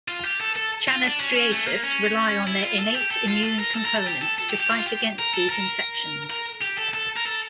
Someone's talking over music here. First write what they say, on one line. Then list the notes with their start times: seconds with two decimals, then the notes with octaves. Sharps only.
Channa striatus rely on their innate immune components to fight against these infections.
0.08 F4
0.24 G4
0.40 A4
0.56 A4
0.87 F4
1.04 D4
1.20 C#4
1.35 C#4
1.51 A3
1.67 A#3
1.83 C#4
2.47 E4
2.63 F4
2.79 A4
2.95 G4
3.11 A4
3.28 F4
3.43 A4
3.59 A#4
3.75 A4
3.85 A#4
3.97 A4
4.07 G4
4.23 A4
4.39 A4
4.50 G4
4.60 G4
4.71 F4
4.86 G4
5.19 A#4
5.34 A4
5.50 A#4
6.30 A#4
6.62 G4
6.79 A4
6.94 A4
7.17 A#4
7.26 A4